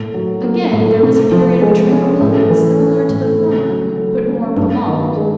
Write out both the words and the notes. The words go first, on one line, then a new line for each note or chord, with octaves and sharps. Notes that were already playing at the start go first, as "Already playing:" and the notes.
Again there was a period of tranquillity similar to the former, but more prolonged.
Already playing: A2 A#3
F#3
A#3
A2
C3
F3
G#3
C#4
A2
E3
A3
A2
C#3
F#3
A3
C#4
G2
D#3
G#3